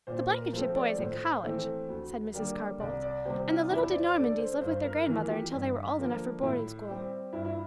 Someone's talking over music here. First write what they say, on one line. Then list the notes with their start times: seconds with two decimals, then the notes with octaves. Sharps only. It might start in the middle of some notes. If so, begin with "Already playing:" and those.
"The Blankenship boy is in college," said Mrs. Carr-Boldt; "and the little de Normandys lived with their grandmother until they were old enough for boarding school."
0.07 A#2 C5
0.30 A#4
0.53 F3 A3 C4 C5
0.75 D5
0.98 A2 C5
1.43 E3 A3 C4
1.89 D2
2.34 D3 G3 A#3
2.80 C2 D5
3.02 D5
3.25 C3 G3 C5
3.48 F4
3.70 E2 E4
3.88 D5
3.93 C5
4.16 D3 A3 D5
4.38 C5
4.60 G2 C5
4.84 A#4
5.07 E3 A#3 A#4
5.29 G4
5.52 G2
5.97 D3 F3 A#3
6.43 A2 E4
6.88 G3 C4
7.33 G2 E4
7.45 E4